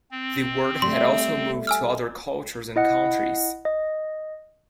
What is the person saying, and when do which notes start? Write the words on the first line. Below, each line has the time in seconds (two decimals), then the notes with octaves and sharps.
The word had also moved to other cultures and countries.
0.11 C4
0.82 G3 A3 C6
1.67 G#5 E6 F6
2.76 E4 D#5 F#5
3.65 D#5